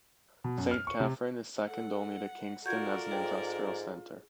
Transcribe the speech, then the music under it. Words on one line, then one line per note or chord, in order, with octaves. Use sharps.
Saint Catherine is second only to Kingston as an industrial center.
B2
F#2
F6
C#6
C3
A4 F#5
F4 F#4 A4 A#4 D5 G6 G#6
G#2 G#4 G5